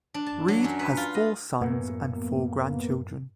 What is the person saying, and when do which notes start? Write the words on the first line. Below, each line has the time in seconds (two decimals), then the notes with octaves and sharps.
Reid has four sons and four grandchildren.
0.14 D4
0.26 A5
0.48 F#3
0.64 F#2
0.79 B4
0.97 F4
1.15 D#5
1.61 F#2 A2 A#3 B3